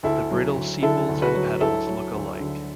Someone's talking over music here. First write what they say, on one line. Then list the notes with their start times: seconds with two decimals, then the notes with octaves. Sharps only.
The brittle sepals and petals look alike.
0.03 D2 E4 A4
0.31 F#3
0.56 D2
0.82 D3 E4 A4
1.08 D2
1.22 F#4 B4
1.35 F#3
1.61 D2 E4 A4
1.87 F#3
2.14 D2
2.40 D3